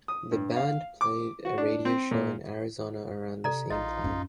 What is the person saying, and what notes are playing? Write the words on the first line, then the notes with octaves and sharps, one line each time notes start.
The band played a radio show in Arizona around the same time.
D#6
G2
F5
D6
F#4
D4
C4
A#2
C3 A4 D5 A#5
A#1 D#4 F4 D#5
F#2 C#4